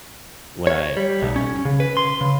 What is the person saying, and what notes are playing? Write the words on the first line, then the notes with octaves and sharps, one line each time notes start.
when I um
C#5
G3
B1
C#4
C#3
B4
C6
C#3